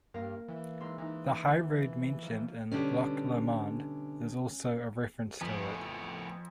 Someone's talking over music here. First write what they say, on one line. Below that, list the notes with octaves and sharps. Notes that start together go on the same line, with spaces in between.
The High Road mentioned in "Loch Lomond" is also a reference to it.
G2 A#3 A#4 F5
E3
G#2 E5 C6
E3 D#4
G#2 F3
B2 D3 G3 C#4
F2 A2 B3 G#5